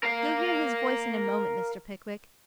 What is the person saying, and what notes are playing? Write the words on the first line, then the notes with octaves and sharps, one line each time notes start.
You'll hear his voice in a moment, Mr. Pickwick.
A#4 F5